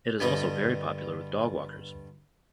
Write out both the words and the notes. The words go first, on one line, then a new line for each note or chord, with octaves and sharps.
It is also very popular with dog walkers.
G2 D3 G3 B3 D#5